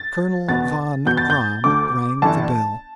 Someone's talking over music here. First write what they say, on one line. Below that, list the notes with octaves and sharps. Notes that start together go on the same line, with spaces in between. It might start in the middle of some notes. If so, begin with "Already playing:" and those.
Colonel von Gramm rang the bell.
Already playing: A6
E2 B2 B3 A6
E2 B2 B3 G6
A6
G6
D2 D3 A3 D6
G1 G2 E3 A5